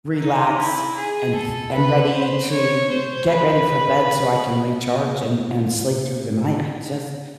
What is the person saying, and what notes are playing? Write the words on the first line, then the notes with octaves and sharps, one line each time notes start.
relax and f and ready to get ready for bed so I can recharge and and sleep through the night. I just
D#4
E4
G#4
A4
B4
C5
C#5
C5
B4